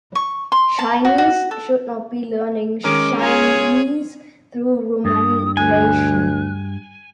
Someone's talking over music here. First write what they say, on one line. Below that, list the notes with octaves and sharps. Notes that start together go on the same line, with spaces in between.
Chinese should not be learning Chinese through Romanization.
C#6
C6
A5
F#4
F#4
A4
D#3 G#3 C#4 A#4 D6
F4 G#4 C#5 G#5
G2 D#6
D2 G#5 F#6